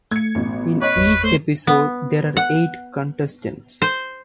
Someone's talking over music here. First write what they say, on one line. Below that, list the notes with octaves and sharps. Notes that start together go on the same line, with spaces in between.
In each episode there are eight contestants.
A3 G#6 C#7
A1 B2
B4 C#5 D#5 C#6
G1 E2
A3 C5
B3
F#5
C5